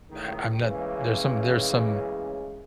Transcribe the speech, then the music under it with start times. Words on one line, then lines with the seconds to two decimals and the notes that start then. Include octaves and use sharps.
uh, I'm not there's some there's some,
0.10 C#2 A2 D#3
0.61 A2 C#3 E3 G#3 A#3 C#4